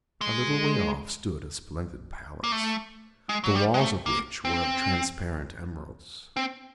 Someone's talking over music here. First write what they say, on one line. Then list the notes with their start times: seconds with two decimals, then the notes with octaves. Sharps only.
A little way off stood a splendid palace, the walls of which were of transparent emeralds.
0.21 G#3
2.44 A#3
2.52 A3
3.29 G#3
3.44 F#3
3.55 G3
3.74 G#3
3.81 A3
4.06 A#3
4.45 C4
6.36 C4